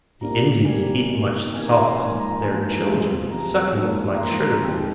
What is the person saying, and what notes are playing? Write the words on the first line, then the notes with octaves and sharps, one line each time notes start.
The Indians eat much salt, their children sucking it like sugar.
C3 G3 A#3 A#5
C3 G3 A#3 G#5
C3 D#3 A#3
C3 D#3 A#3 G#5
A#5
C6
G#2 F3 A#3 G#5
A#5
G#2 F3 A#3 G#5
F2 C3 F3 G#3
F2 C3 F3 G#3 A#5
G#2 F3 A#3
A#5
G#2 F3 A#3 C6
A#5
F2 C3 D#3 G#3 G5